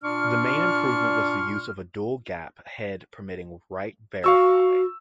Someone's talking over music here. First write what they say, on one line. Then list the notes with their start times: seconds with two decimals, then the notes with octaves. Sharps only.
The main improvement was the use of a dual gap head permitting write verify.
0.03 A#2 D4 C6 C#6 F6
4.24 F#4 F5 C#6 E6